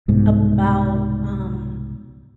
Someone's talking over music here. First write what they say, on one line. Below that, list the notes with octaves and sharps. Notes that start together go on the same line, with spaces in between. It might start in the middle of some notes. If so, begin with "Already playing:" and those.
about, um
C2 G#2 B2